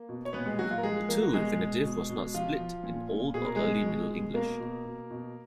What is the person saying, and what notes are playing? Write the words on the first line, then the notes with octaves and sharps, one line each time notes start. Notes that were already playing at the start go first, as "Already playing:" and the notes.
The "to" infinitive was not split in Old or Early Middle English.
Already playing: A#3
B2
C#5
A#2 B3 B4
G#3 G#4
A#2 F#3 F#4
F4
A#4
F3 G#3 G#4
F3 A#3 A#4
F#4
B2 G#3 G#4
B2
B2
B2
F3 F4
F3
A#2
A#2
B2 G#4
A#4
B2 G#3 G#4
B2
B2
B2 A#3 A#4
B2
B2
B2